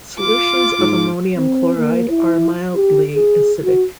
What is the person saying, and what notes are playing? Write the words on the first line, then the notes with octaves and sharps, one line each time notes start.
Solutions of ammonium chloride are mildly acidic.
F4 D6
G#2
C4
A#3
E4
G4
G#4
F#4